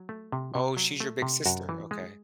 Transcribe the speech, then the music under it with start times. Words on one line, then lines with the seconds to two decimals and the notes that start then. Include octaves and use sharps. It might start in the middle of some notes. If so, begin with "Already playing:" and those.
Oh, she's your big sister, okay.
Already playing: F#3
0.09 A3
0.32 C3
0.55 C3
0.77 F#3
1.00 A3
1.22 C3
1.46 F#2 F#4
1.69 E3
1.91 G#3